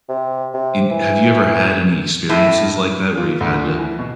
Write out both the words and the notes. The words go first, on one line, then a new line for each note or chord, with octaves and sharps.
in have you ever had any experiences like that where you've had to
C3
C3
E3
A2
F4
D2
F3
E3
B2